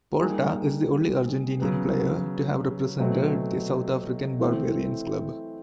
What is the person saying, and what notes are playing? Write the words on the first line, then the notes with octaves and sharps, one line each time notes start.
Porta is the only Argentinian player to have represented the South African Barbarians Club.
G3 A#3 D#4 G#4
C#3 F#3 B3
B2 F#3 A3 C4
E3 A3 C4 E4